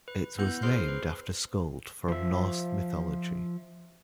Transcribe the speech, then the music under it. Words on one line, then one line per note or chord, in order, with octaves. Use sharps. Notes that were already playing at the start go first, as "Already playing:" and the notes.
It was named after Skuld from Norse mythology.
B4
B3 E4 B4 F#6 G6
G#4 C5 C6 F6 C7
B4
F3 E5